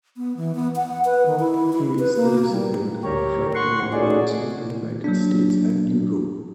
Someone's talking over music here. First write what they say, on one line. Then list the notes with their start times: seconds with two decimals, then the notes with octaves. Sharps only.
He is the recipient of writing awards in the United States and Europe.
0.17 B3
0.37 E3
0.55 B3
0.76 F#5
1.05 B4
1.26 D#3
1.40 E4
1.73 E4
1.99 B4
2.16 A#3
2.51 G3
3.04 D2 G4 A#4 C#5
3.55 F#5 C6 C#6
3.93 A3 C#4 D#4 F#4 G#4 D5
5.04 F#3 A#3 D4